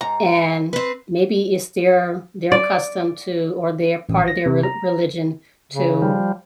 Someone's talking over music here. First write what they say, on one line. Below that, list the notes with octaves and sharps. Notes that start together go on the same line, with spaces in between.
and maybe it's their their custom to, or their part of their re religion to,
G#2 A#5
C4 B4
D5
A1
A#6
C3
A#5
C#3
F3 G3